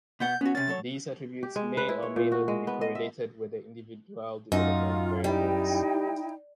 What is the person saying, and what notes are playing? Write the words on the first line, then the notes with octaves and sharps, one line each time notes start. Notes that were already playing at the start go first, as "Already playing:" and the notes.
These attributes may or may not be correlated with the individual dependent variables.
B2 B3 F#5 G6
B3 C#4 F#4
C3 C#4 A6
F#3 A4 C#5
G4
G#3
B4
E4
C#5
A#2
F#4
G#3
B3
D#5
E5
F#2 D#4 F4
G3 D#4 E4 G5